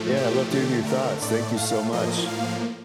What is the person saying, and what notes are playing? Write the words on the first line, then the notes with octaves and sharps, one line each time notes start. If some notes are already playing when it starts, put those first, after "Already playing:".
Yeah, I loved hearing your thoughts. Thank you so much.
Already playing: A2 F3 A3
G4
D3 A3 G4
A#4
A2 A3 D5
F5
A2 F3 A#3 D#5
F5